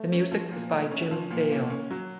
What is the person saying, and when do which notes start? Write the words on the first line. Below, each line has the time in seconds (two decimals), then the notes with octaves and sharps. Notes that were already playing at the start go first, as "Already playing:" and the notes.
The music was by Jim Dale.
Already playing: A3
0.12 C#4
0.31 F3
0.52 A#2
0.71 A3
0.91 C#4
1.11 F3
1.31 A#2
1.51 A#3
1.70 C#4
1.91 F#3